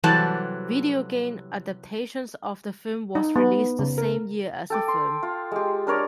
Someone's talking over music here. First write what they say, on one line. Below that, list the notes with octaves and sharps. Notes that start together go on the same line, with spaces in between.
Video game adaptations of the film was released the same year as the film.
C3 E3 F#3 G3 A4 A5
D#4
B3
C#3
A#4
A4 G5 D6
C6
F4
G#3 G4
D4 A#4 C#5 D5